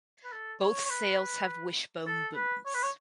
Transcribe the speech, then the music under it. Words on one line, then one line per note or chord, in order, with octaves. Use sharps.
Both sails have wishbone booms.
B4
A4
C#5
C#5
B4
A4
B4
C#5
B4
C#5